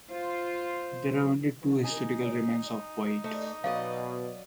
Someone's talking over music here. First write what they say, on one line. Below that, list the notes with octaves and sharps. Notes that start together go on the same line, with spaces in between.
There are only two historical remains of Boyette.
F4 C5
D#4 G#5
A3 D#5
B2 F#3 D5 D#5 F5